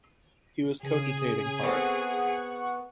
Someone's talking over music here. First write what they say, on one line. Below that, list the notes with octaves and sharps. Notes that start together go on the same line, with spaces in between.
He was cogitating hard.
C#3 G#4
B3 C4 A4 F#5 C#6